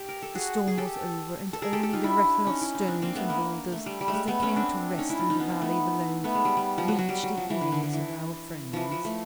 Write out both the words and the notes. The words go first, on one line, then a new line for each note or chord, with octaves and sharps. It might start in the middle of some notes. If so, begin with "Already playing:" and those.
The storm was over, and only the rattle of stones and boulders, as they came to rest in the valley below, reached the ears of our friends.
Already playing: G4
A#4
A4
F#4 G#4
G#4
G4 A4
A4
G#4 A#4
G4 A4
G4 A4
D#4 F4
D4 E4
C#4 D#4
E4
D#4
C4 D4
A#3 C4
A3 B3
A#3
A3
G3
G3
A3
G#3
A3 B3
B3 C#4
C4 D4
C#4 D#4
D4 E4
D#4 F4
C#4 D#4
B3
C4
A3 B3
A3 B3
G#3
G3
G3
F3
F#3
F#3
G3
F#3
F3
E3
D3
D3
D3
E3
E3 F3
F3
A3